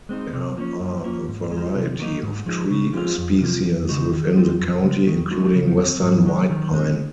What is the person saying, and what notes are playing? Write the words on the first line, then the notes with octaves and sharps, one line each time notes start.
There are a variety of tree species within the county including Western White Pine.
G#3 C4 D#4
C3
F3 A#3 C#4
F#2
F3 A#3 C#4
G#2
F3 G#3
C3
D#3 F#3 A#3 D#4
G#2
F3 G#3 D#4
C#3
F3 G#3 C4 F4
F2
C3 F3
F2
C#3 G#3 D#4 F#4
D#3
G#3 C4 F4
F2
C#3 G#3
D#3
G#3 D#4 F#4
C#3
F#3 C4
G#2
D#3 G#3
D#3
G#3 C4